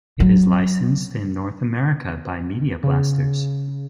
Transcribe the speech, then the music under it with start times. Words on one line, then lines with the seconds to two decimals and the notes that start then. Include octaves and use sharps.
It is licensed in North America by Media Blasters.
0.20 F#3
2.83 C#3